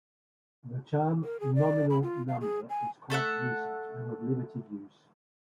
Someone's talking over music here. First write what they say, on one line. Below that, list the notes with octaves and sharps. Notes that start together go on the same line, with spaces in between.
The term "nominal number" is quite recent and of limited use.
A#4
G#4
D5
B5
F4
F5
G#4
G#5
A3 A4 E5 F#5